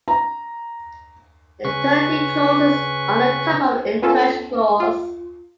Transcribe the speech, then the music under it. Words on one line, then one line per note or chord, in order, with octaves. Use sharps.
Eternity clauses are a type of entrenched clause.
A#5
C#3 C#4 B4 C#6
B3 C#4 F4 A4
F4